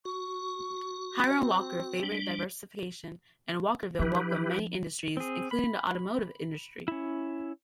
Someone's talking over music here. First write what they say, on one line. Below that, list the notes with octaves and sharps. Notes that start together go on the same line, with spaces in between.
Hiram Walker favoured diversification and Walkerville welcomed many industries including the automotive industry.
F#4 C#6
C4
G3 D4
F3 D4 E4 G4 B4
C4 G#4
B5
C#4 E4